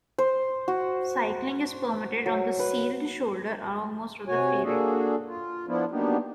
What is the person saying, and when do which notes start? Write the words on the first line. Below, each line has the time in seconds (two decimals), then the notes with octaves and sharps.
Cycling is permitted on the sealed shoulder along most of the freeway.
0.18 C5
0.68 F#4
2.26 F#3
2.59 B4
4.28 C3 F#4 C#5 G#5
4.64 A#3 D4 F#4 G#4 A4
5.28 F4
5.68 F3 B3 D4 E4 F4
5.91 F#3 A#3 B3 D4 D#4 G4